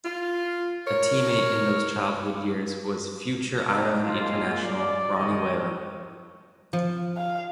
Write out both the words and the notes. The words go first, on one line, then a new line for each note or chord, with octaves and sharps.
A teammate in those childhood years was future Ireland international Ronnie Whelan.
F4
A#4 C#5
C3 D4 D#4
G#3 A#3 F4
D5
C2 D#3 C#5 D#5
F3
F5